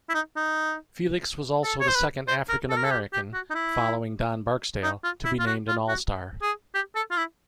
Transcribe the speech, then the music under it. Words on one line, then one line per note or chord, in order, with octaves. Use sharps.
Felix was also the second African-American, following Don Barksdale, to be named an All-Star.
E4
D#4
D#4
A4
C#5
C5
B4
C5
A#4
A4
A#4
A4
G4
G4
F#4
D#4
E4
D#4
F4
E4
F4
F#4
F4
F#4
G#4
G4
A4
F4
E4